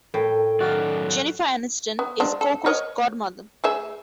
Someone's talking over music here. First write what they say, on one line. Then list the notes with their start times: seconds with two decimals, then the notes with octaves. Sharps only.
Jennifer Aniston is Coco's godmother.
0.14 A2 A4 A#4 G5
0.60 F#2 D#3 F#4 D5 F5
1.99 B3
2.20 G#3 D4
2.41 A4
2.66 A#4 C#5 D#5
3.64 A3 G#4 E5